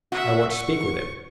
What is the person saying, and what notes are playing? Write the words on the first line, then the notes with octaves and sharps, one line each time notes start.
"I want to speak with him."
F#4 E5 F#5
C#6